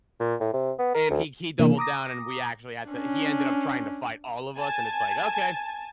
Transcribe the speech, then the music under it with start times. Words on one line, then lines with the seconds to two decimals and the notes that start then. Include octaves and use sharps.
And he he doubled down, and we actually had to he ended up trying to fight all of us. And it's like, okay.
0.20 A#2
0.41 A2
0.54 C3
0.79 B3
0.94 A#4
1.10 D2
1.60 C3 E3 A#3 D4 A#4
1.77 A#5 D6 D#6 A#6
2.90 C#4 D4
4.58 G#5 A5